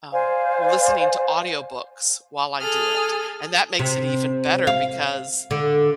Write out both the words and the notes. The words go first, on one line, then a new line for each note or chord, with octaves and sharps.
um, listening to audiobooks while I do it, and that makes it even better because
C5 D5 F5 G#5
G#4 A4 D#6 F6
C3
F5
D3